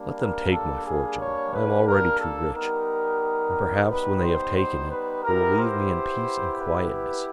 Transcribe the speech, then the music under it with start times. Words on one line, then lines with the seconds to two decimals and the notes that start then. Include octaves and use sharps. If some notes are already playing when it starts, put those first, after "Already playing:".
Let them take my fortune, I am already too rich; and, perhaps, when they have taken it, they will leave me in peace and quietness.
Already playing: G3 A#3 D4
0.18 A#4
0.51 A4
0.85 G#4
1.19 C#5
1.53 B4
1.87 A#4
2.19 A4
2.53 G3 B3 D#4 G4 A#4
3.88 B4
4.22 C5
4.55 C5
4.90 B4
5.22 B3 E4 G4 A#4
5.57 C5
6.58 B4
6.91 B4